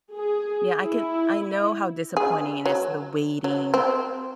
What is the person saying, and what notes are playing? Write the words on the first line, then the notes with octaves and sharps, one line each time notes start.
Yeah, I can I know how disappointing it is, the waiting,
G#4
E4
G#4
F#3
F#3
C4